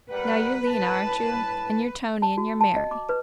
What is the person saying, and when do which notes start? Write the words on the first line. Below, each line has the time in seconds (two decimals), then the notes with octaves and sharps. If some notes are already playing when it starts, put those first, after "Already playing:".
Now, you're Lena, are you?--and you're Tony and you're Mary.
0.10 G3 A#4 B4 F#5
0.67 A2 A5
2.22 A5
2.38 F#4
2.61 A5
2.76 D#5
2.91 D6
3.09 B4